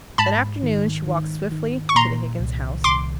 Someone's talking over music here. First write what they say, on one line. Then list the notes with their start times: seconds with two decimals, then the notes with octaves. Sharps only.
That afternoon she walked swiftly to the Higgins's house.
0.18 G#2 A5 B5
0.63 D#3
1.07 D#3
1.52 D#3
1.89 C#6
1.95 A#2 A#5 C6
2.40 C2
2.84 C2 C6 D6